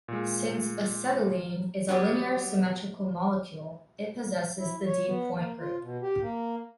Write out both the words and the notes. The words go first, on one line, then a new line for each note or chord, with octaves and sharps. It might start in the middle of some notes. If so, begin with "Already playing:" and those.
Since acetylene is a linear symmetrical molecule, it possesses the D point group.
A#2 G#3
F#3 G3 B3 G4
E4
C#5
B3
A#3
F4
B2
G4
A#3